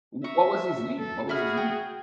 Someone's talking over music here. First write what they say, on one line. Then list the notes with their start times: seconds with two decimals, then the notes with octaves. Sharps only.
W what was his name? What was his name?
0.24 E5 A#5 C#6 D#6
0.99 A4
1.29 F#4 G#4 E5 B5 F6
1.57 G5